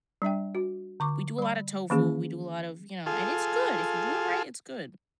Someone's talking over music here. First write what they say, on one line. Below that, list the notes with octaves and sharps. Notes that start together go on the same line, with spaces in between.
we do a lot of tofu, we do a lot of, you know and it's good if you do it right, it's good,
G3 D4 E5 G5
F#4
D3 C#6 D6
G3 B5
D#3 E3 A#3 C#4 G#4
F4 G#4 A4